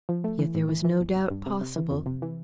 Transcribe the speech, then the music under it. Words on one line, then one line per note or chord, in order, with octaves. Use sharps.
Yet there was no doubt possible.
F3
A3
E3
A2
E3
E3
G1
G1
G2
C3
C3
E3
F2
C3
E3